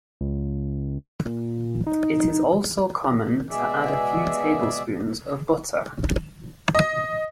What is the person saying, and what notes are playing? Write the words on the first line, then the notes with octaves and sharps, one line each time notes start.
It is also common to add a few tablespoons of butter.
C#2
A#2
D#4
B2 G#3 G#4 D5 E5
D#5